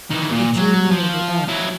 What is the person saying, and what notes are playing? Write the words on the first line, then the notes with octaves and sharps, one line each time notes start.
They drew near the elm.
D#3 E3
A#2
F#3
F3
F#3 E4